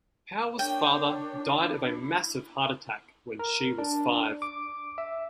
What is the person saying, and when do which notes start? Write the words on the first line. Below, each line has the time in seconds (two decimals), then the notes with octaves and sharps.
Power's father died of a massive heart attack when she was five.
0.59 D4 A#4 C#5 G5
1.41 E4
3.39 A#4
3.78 D4
4.42 D6
4.98 E5